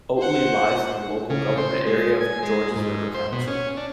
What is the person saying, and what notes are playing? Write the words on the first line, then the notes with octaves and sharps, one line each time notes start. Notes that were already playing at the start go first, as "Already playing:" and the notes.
Oatley lies in the local government area of Georges River Council.
C5 F#5
C#3
C5
G#3
G#5
G#3
G#2
C5
B2
C#4
D4